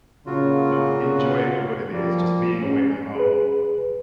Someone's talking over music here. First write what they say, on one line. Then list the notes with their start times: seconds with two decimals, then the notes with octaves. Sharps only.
You know, enjoy it for what it is, just being away from home.
0.26 A#2 C#3 F#3 F4 F#4
1.92 F3 G3 A#3
2.58 G#2 C#4
3.15 G#4 B4